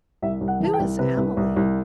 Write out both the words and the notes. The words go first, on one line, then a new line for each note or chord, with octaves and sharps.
"Who is Emily?"
C2 E5
C2
F#5
E3 A5
G5
C2
C3 B4
C2
C2
C2